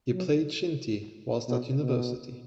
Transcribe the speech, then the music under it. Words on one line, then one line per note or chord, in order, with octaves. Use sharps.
He played shinty whilst at university.
F#3
B2
B2